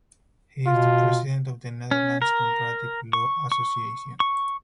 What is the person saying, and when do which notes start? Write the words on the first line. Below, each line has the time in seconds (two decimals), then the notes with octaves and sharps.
He is the President of the Netherlands Comparative Law Association.
0.66 B2 F4
1.91 C#4
2.22 A#4
3.13 C#6
3.52 C#6
4.20 C#6